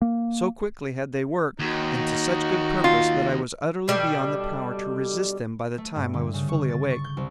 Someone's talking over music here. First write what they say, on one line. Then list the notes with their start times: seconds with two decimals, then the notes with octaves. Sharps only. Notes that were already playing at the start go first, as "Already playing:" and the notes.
So quickly had they worked and to such good purpose, that I was utterly beyond the power to resist them by the time I was fully awake.
0.02 A#3
1.59 D#2 D#4 F#4
2.84 F4
3.88 B2 G3 D4 A4
5.78 A3
5.96 G2
6.14 D3
6.34 C#3
6.49 C#6
6.69 A6
6.90 C#6
7.04 G6
7.17 C2